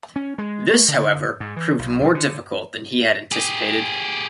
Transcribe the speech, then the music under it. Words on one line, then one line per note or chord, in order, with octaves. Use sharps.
This, however, proved more difficult than he had anticipated.
C#4
G#3
A3
D3
G#2
E3
B1
B1
D3
G4 G#4